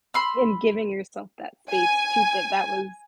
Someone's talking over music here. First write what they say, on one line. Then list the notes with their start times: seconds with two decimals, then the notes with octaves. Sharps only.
And giving yourself that space to think that was
0.14 B5 C6 E6
1.71 G#5